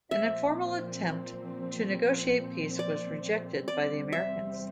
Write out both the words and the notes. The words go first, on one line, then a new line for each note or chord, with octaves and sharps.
An informal attempt to negotiate peace was rejected by the Americans.
A#2 F3 C4 E5
D5
E2 C3 G3 C4 D5
E5